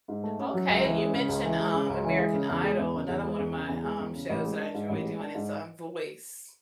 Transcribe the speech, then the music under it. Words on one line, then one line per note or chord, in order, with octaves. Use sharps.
Okay, you mentioned, um, American Idol, another one of my, um, shows that I enjoy doing is, um, Voice.
G#2
A3
C#4
F#3
C#2
E3
G#3
C#3
C#2
E3
G#3
C#3
C#2
E3
G#3
C#3
E2
G#3
E2
C#3
E2
G#3
E2
C#3
E2
G#3
E2
C#3
A1
G#3
D4
G#2
A1
G#3
D4
G#2